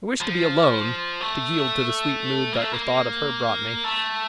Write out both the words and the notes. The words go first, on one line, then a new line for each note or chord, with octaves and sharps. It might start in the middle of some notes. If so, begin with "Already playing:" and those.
I wished to be alone, to yield to the sweet mood that the thought of her brought me.
F3
A3
A#3
A3
A#3
A3